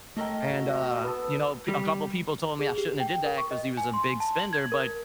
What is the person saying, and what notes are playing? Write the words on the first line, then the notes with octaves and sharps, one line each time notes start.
And, uh, you know, pe a couple people told me I shouldn't have did that because he was a big spender. But,
A3 A4 A#4 C#5 D#5 G5
F#4
B3 A4
G3
G#4
G4
G5
A#4
C#6
D#5
G#5
C6
A5
F#7
G#6
A#4